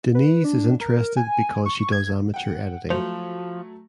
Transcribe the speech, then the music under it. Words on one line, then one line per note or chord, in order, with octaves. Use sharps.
Denise is interested because she does amateur editing.
B4
D4
A#4
G#5
C#6
G#6
F#5 G5
F3 F#3 A3 C5